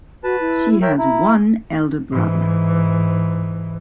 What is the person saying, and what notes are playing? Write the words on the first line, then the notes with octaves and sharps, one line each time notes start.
She has one elder brother.
F#4 B4 A5
E4
A#4 C#5 E5 G5
E4 A#5
G#2 E3